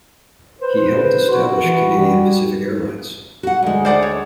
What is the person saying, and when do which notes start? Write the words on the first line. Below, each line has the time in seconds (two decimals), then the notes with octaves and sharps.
He helped establish Canadian Pacific Air Lines.
0.61 B4 C5
0.95 B4
1.30 F#4
1.63 E3
1.93 G3
3.43 F#4 F#5
3.63 D2 G#3
3.85 C5 D5 F#5
4.02 C#5